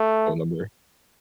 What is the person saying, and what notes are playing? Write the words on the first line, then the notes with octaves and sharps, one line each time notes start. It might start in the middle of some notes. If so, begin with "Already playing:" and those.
phone number.
Already playing: A3